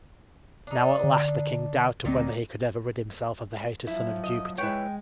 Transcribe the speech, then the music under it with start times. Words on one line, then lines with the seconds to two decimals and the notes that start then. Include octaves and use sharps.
Now at last the king doubted whether he could ever rid himself of the hated son of Jupiter.
0.67 D4 D#4
1.04 D3
2.05 D2 A#2 D#3 C4
3.87 F3 F#3 E4
4.24 D#5
4.58 G#3 E4 B4 C#5 G5